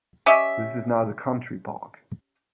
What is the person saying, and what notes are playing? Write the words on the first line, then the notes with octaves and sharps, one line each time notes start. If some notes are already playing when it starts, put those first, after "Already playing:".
This is now the Country Park.
C#4 G4 D#5 E5